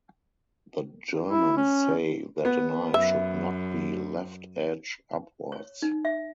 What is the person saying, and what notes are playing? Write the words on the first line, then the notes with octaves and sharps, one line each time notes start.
The Germans say that a knife should not be left edge upwards.
E4
C#4
B3
F#2 E5
C#5
D#4
E5